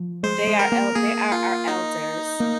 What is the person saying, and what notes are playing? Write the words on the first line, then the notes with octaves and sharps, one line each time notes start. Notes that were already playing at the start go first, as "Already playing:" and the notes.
they are el they are our elders,
Already playing: F3
G#3 C5
G#3
A#4
A#3
A#3 G#4
F4
D#4
A#3